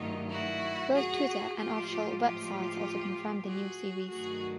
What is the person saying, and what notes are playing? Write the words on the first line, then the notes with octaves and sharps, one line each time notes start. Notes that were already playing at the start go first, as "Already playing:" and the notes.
Both Twitter and official websites also confirm the new series.
Already playing: G2 D#3 F#3 A3 D#4 F4
E4 F#4
F#4 G#4
A2 F3 G#3 F4 G4
F4 G4
F#4 G#4
G2 D#3 F#3 A3 F#4 G#4